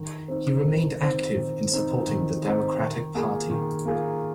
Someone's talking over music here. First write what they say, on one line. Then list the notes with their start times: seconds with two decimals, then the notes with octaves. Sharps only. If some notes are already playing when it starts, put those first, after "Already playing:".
He remained active in supporting the Democratic Party.
Already playing: D#3
0.28 C4 D#4
0.65 D#3
1.01 C4 D#4
1.35 D#3
1.72 C4 D#4
2.08 D#3
2.43 C4 D#4
2.79 D#3
3.15 A#3 F4 G#4
3.50 D#3
3.85 A#3 F4 G#4